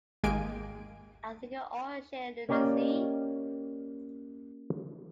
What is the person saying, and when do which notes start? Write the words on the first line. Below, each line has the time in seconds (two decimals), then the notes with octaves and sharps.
I think it all sheer lunacy.
0.23 G#1 G#3 A#3 G4 G#5 D7
2.49 A#3 C#4 G4 D5 D#5 F5